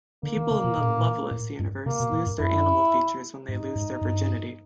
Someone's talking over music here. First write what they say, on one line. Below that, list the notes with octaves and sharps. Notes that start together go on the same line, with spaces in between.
People in the "Loveless" universe lose their animal features when they lose their virginity.
D3 A#3
D#3
C#3
B2
A#2
A2
A#2
A2
G2
C3 A#3
B2
A2
G2
F#2 E4
G#2 D#4
G#2
G2